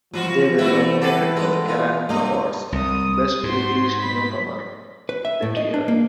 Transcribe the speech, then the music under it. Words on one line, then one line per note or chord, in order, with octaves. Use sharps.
They were nominated for the Kerrang Award's 'Best British Newcomer' that year.
E3 F3 B3 F4 F#4
E3 A3 C4 E4 F#4 E5
F#4 G4 A4 B4
G#3 G4 G#4 F#5 A#5
E3 F4
G2 B2 A#3 D#5 F5
C2 D#6
G#2 F#4 C6
B5 B6
B4
E5
A2
D#5
D4
A#3